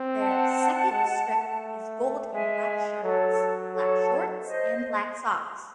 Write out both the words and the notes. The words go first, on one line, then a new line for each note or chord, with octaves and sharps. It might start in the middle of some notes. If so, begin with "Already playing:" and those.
Their second strip is gold and black shirts, black shorts and black socks.
Already playing: C4
F#5 A5
G#3
A3
G#3 E5 G#5
F#3 A4 C#5
A4 C#5
C5 D#5